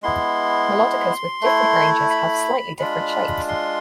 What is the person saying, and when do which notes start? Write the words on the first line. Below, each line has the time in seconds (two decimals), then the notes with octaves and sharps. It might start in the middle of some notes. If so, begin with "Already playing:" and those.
Melodicas with different ranges have slightly different shapes.
0.03 G#3 B3 E4 C6
1.41 A3 E4
2.10 B5
2.79 G#3 D4 F4 B5
3.48 C6